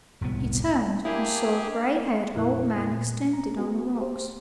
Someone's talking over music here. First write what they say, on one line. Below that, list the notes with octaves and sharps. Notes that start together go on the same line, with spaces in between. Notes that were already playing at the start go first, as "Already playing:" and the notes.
He turned, and saw a gray-haired old man extended on the rocks.
E1 C2 A2 B3
A#3 D4 E4 G4 G#4
F2 A#2 E4 A#4 F#6
A#2
A#5
B3 F#4 G#4
G4 C5